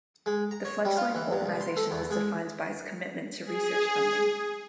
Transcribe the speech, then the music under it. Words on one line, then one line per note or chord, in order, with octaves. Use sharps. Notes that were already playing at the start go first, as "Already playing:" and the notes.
The fledgling organization was defined by its commitment to research funding.
G#3
A#5
C#5
G3
F4
E3
G2
C2
C6
A4
E2
G#3
G#4